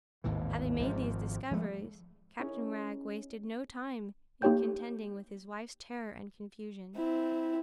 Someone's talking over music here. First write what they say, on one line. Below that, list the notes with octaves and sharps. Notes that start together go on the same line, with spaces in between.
Having made these discoveries, Captain Wragge wasted no time in contending with his wife's terror and confusion.
G#1 D#2 A2 E3
G#1 G#2 F3
F3 G#3 A3
C#4 D#4 E4 G#4 A#4 C#5
A#3 D#4 G4 C#5 G5 G6
C4 E4